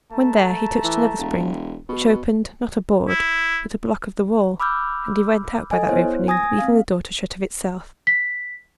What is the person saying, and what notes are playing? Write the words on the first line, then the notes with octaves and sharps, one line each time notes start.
When there, he touched another spring, which opened, not a board, but a block of the wall, and he went out by that opening, leaving the door to shut of itself.
A3 A5 A#5
E3
E1
B2
E4
B5 D6 E6 F6 G6
A4 D#5 G#5
B3 E4 C5 C#5
G#5 D#6 G#6 A#6
C4 F5
B6